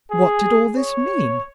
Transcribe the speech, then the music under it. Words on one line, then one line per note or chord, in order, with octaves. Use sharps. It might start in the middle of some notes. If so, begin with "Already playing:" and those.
What did all this mean?
G#4
C#5